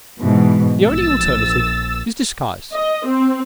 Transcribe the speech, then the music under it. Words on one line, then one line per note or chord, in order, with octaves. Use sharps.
The only alternative is disguise.
G#2 B2 E3
A#1 E6 A6
D#5
C4